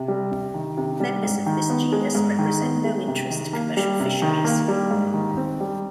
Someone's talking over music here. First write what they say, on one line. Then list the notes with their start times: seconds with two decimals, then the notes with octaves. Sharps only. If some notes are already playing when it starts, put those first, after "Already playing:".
Members of this genus represent no interest to commercial fisheries.
Already playing: C3
0.08 G3
0.31 C3
0.54 D#3
0.77 C3
1.00 G3
1.23 G#2
1.46 D#3
1.70 B3
1.92 G#3
2.15 G#2
2.39 D#3
2.61 B3
2.84 G#3
3.08 C3
3.30 D#3
3.53 A#3
3.77 G3
4.00 C3
4.22 D#3
4.45 A#3
4.68 G3
4.91 G#2
5.14 D#3
5.37 C4
5.60 G3